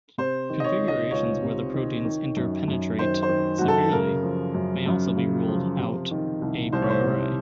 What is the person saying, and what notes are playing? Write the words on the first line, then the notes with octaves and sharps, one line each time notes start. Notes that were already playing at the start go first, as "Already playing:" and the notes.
Configurations where the proteins interpenetrate severely may also be ruled out "a priori".
C3 C5
D#3
D#5
C#5
C#2
D#5
C#2 C#5
C3
D#3
D#3
F#2
F#2
D#3 C5
C5
D#3
F#2 F#4
A4
C#3 A#4
F3
F#2
F#2
C#3
F3
C3
D#3
C2
C2 C5
C#5
C5
C3